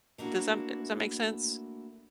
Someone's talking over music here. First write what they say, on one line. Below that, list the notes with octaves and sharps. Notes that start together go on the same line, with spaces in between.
Does that does that make sense?
A3 A#3 D4 E4 F#4